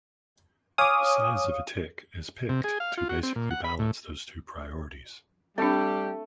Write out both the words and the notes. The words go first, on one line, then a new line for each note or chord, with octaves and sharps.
The size of a tick is picked to basically balance those two priorities.
C#5 F5 G#5 D6 D#6
C3
G#4
F5
F4
F#4
C4
A#2
F#5
B5
A2
G3 A3 C4 D4 G4